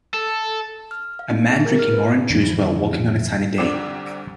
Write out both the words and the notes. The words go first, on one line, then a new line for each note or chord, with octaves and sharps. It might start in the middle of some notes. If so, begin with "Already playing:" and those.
A man drinking orange juice while walking on a sunny day.
A4
F6
F5
D#4
G#4
A#4
F6
B4
F2 D3 E3
C2 D3 C4 D6 E7